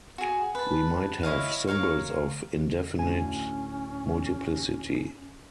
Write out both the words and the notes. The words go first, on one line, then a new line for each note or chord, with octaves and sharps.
We might have symbols of indefinite multiplicity.
F#4 G#4
B4 A5
E4 C#5 D#5 F5
A#4 C#5 F5 C#6
D2 A2 C#4 G#5